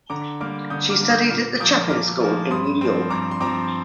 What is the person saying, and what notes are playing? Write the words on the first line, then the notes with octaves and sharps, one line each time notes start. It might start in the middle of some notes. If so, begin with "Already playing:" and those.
She studied at the Chapin School in New York.
D3 A#5 D6
G3 A#3 D6 F6
D3 D#6 G6
D6 F6
G3 A#3
D#6 G6
A#2 D6 F6
F3 A#3 D#6 G6
A#2 D6 F6
F3 A#3
G2 C6 D#6
F3 C4
G2 A#5 D6
C6
F3 C4 A#5 D6